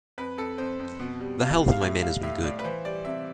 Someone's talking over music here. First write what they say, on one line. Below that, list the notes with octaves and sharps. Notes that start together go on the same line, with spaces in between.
The health of my men has been good.
F2 B4
F2 A4
F2 C5
F2
B2
G3
B2 F5
G3
F5
A2 E5
G3 F5
A2 E5
A2 D5
B4
E3 C5
G3 D5
C3 E5